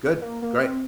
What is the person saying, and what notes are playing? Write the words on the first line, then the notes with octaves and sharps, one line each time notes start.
Good. Great.
A#3
A#3
C4